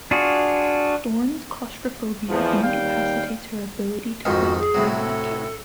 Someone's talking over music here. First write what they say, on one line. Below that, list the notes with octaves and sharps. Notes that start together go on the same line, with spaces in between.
Storm's claustrophobia incapacitates her ability to fight Magneto.
D4 F4 F#4 G#4
E2 F3
D#2 G3 F5 G5
F2 G#2 D#3 F#4
G#4
A2 C3 F#3
A4